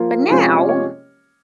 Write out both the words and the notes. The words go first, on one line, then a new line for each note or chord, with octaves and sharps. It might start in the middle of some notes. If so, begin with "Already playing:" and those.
but now,
Already playing: F3 A#3 F4 A#4
C3 F3 G#3 C#4 F4 G#4
G4
D#5
C#5